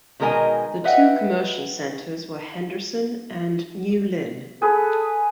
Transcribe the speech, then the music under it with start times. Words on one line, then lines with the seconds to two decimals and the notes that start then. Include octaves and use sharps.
The two commercial centres were Henderson and New Lynn.
0.20 B2 D#3 G#3 A#4 D#5 G#5
0.84 B4 D#5 E5 F#5 G5
4.62 G#4 A4 B4